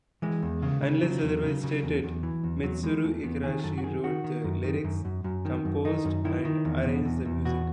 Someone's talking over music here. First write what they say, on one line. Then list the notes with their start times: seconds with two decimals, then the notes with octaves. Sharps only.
Unless otherwise stated, Mitsuru Igarashi wrote the lyrics, composed and arranged the music.
0.22 E3 G#3
0.42 E2
0.62 C#3
0.82 C#3
1.02 C#3 F#3
1.22 E2
1.43 C#3
1.63 C#3
1.83 E2
2.03 E2
2.23 E3
2.44 E2
2.63 E2 F#3
2.83 E3 G#3
3.04 E2 A3
3.23 E2 B3
3.43 D#3 G#4
3.64 F#2 A4
3.78 F#4
3.84 D#3 G#4
4.04 D#3 F#4
4.24 D#3
4.44 F#2
4.64 D#3
4.84 F#2
5.05 F#2
5.24 F#2
5.45 D#3
5.65 F#2
5.85 D#3 D#4
6.05 F#2
6.24 D#3 E4
6.45 D#3
6.65 E2
6.85 B2
7.05 E2
7.25 E2
7.45 B2 F#4